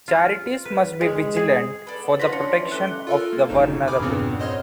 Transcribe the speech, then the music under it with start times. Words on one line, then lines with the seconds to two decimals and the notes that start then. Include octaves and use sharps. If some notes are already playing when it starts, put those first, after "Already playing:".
Charities must be vigilant for the protection of the vulnerable.
0.08 F4
0.65 B4
1.01 G#3
1.36 G#4
1.87 A4 B4 D5
2.03 B3
2.19 F3 F4 B4 G6 A#6 B6
2.33 C#4 D4 F4 C6 C#7
2.58 E3
2.72 A3 G4 F#6 G7
3.07 F4 A4 A#4
3.33 A#3
3.49 G1 F2 B2 D#4 E7
3.87 G#5 B5 D6 D#6 F6 G6
3.99 E2 G2 A#2 C#3 B3 C4
4.39 C5 C#5 D#5 C6 F6 G6